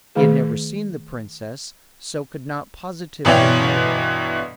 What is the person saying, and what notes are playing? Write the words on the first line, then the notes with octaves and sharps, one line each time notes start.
He had never seen the princess, so could not positively know her.
D#3 A3 G#4
G1 B2 E3 C#5 D5 G5